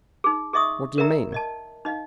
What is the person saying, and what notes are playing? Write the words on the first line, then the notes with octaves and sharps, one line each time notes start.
"What do you mean?"
D#4 G#4
G#4 D#5 E5 C#6 D#6
A#4 D5 E5 A#5
D5 D#5 A5
D#4 D#5 F5